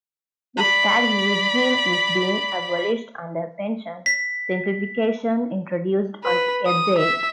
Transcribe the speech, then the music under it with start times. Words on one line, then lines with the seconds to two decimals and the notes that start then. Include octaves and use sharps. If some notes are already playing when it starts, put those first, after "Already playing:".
This tax regime is being abolished under pension simplification introduced on A-day.
0.57 D5 B5
4.06 B6
6.24 B4
6.67 D#6
6.98 E5